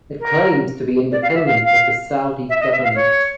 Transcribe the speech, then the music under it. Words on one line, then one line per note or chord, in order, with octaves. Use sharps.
It claims to be independent of the Saudi government.
A#4
D5
F5
E5
F5
F5
E5
D#5
E5
F5
C#5